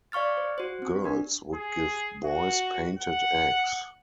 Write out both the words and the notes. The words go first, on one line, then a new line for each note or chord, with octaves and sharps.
Girls would give boys painted eggs.
D5 F5 C#6 F6 A6
C5
F#4 C5
C4
D4 G4
G#4
F#4
F#5